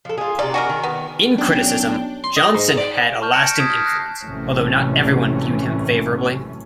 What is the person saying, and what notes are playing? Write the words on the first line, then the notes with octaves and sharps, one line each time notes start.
In criticism, Johnson had a lasting influence, although not everyone viewed him favourably.
F3 A4
F4 G#4
C3 D#4 F4 D5
F#4 G#4 A#4
D#3
B3
B1 C#4 D4 G5
C6
D#5
G#2
D5
A5 C#6 F6 G6
A5 G6 A#6 C#7 D7 E7
D#6 G#6 B6
F6
F#6 A#6 C7
A1 F#2 C3 E3 A3 C#4